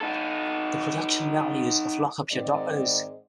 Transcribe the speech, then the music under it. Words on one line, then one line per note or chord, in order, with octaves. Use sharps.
The production values of Lock Up Your Daughters!
D#4 A4
G#2 D#3 C4 D#4 D5 D#5